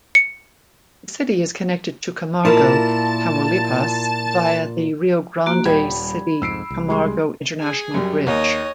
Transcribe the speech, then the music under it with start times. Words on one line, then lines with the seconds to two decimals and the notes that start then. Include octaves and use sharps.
The city is connected to Camargo, Tamaulipas, via the Rio Grande City-Camargo International Bridge.
0.15 C#7
2.45 A#2 E4 F4 A#4 A5
5.46 A#3 F#4
5.65 D#1 G3 G5 B5 G#6
6.42 C2 F2 G#2 E6 C7 D7
6.70 C2
6.88 G3 G#3 C6
7.59 G#4 G#5
7.94 F#2 G3
8.27 D#2 C#5 D#5